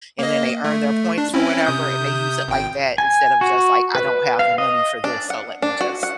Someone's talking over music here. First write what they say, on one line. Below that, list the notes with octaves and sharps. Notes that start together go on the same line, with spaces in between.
and then they earn their points for whatever and they use it like that instead of just, like, "I don't have the money for this, so let me just,
A#3 D#5
A3
D4
C4 C#4 E4
C3 D#6 G6
G#1 G5
G#5
F#4
B4
F5
D#5
D4
F#5
D4
F#4
F#5